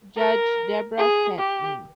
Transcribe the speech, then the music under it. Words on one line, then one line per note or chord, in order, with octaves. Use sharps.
Judge Debra sent me.
A#4
G#4
G4